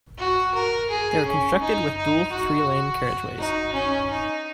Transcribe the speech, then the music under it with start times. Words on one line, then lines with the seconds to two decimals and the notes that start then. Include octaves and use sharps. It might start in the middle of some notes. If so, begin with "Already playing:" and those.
They were constructed with dual three-lane carriageways.
0.19 F#4
0.55 A#4
0.90 G#4
1.26 C#4
1.61 D#4
1.97 D#4
2.32 F#4
3.39 D#4
3.74 C#4
4.10 D#4